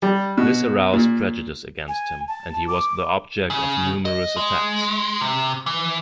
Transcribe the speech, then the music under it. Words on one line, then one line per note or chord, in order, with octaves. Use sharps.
This aroused prejudice against him, and he was the object of numerous attacks.
G3
B2
A#2
G#5
A5
D6
C#3
D#5
G#3
C3
E3